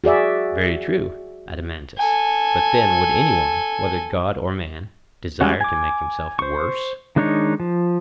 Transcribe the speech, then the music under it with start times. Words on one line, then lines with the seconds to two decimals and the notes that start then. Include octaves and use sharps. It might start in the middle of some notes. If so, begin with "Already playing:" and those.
Very true, Adeimantus; but then, would any one, whether God or man, desire to make himself worse?
0.04 F#4 G#4 D5 E5
1.98 A4 G#5
5.41 G3 G#3 C#4 F#4
5.61 G#5 D6
6.39 C5 C#6
7.16 D#3 G#3 D4 D#4 C#5
7.60 F3